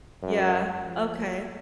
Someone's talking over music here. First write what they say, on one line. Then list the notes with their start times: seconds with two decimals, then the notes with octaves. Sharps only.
Yeah, okay.
0.22 F#2
0.83 F3